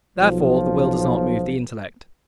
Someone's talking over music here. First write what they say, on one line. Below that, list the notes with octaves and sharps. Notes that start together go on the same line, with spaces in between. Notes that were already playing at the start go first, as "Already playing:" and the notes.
Therefore the will does not move the intellect.
B1 F3